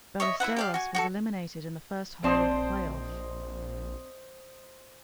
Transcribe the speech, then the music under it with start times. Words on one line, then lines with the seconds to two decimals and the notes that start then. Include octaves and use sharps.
Ballesteros was eliminated in the first hole of the playoff.
0.20 C#5 D#5 E5
0.40 E4 B4 E5 F#5
0.56 G4 D5 F5
0.74 F#4 G#5
0.95 F#4 G4 A4
2.24 A#1 C4 C5 D5 D#5 A5 C6